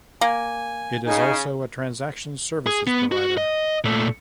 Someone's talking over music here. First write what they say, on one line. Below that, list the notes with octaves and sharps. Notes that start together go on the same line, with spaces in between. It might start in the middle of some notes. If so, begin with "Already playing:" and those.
It is also a transaction services provider.
A#3 G#5
C#3 D#4 G#5
G#4
B3
F#4
D#5
A#2 A3